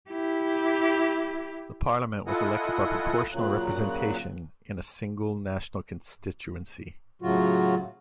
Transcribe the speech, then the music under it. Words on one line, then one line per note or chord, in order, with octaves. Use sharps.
The Parliament was elected by proportional representation in a single national constituency.
E4 G4
E4 F4 A4 D#5 F#5 G#5
A#2 C#3 F#3 F#6
A2 C#3 F#3 F4 F#4